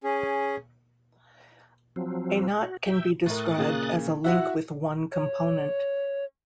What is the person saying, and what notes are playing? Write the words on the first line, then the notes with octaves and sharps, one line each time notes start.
A knot can be described as a link with one component.
C#4 G#4
F3 F#3 C4
F#4
E5 G5
A2 A#4 D#6 F#6 A6
A#2 C#3 A#3
E4 F#4 E5 F#5
C#5